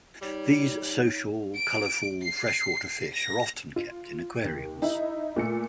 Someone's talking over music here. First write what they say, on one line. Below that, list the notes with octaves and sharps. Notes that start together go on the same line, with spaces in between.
These social, colorful freshwater fish are often kept in aquariums.
G3 D#4 C#5
D7
C7
A#6
F4
D#2
D#4 E4
A#2 A3 C#7